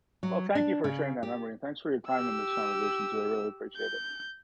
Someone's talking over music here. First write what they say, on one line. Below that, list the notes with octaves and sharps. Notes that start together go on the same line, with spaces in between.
Well, thank you for sharing that memory and thanks for your time in this conversation too, I really appreciate it.
F#3
D4
C#3
G4
G4 E6
G6